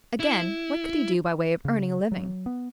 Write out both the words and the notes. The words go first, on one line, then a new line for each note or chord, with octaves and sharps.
Again, what could he do by way of earning a living?
E4
C#3
F#3
B3